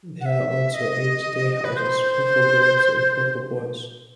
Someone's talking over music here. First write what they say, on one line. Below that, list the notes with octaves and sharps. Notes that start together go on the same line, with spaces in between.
There are also eight day houses, four for girls and four for boys.
F#5
E5
D#5
B4
C5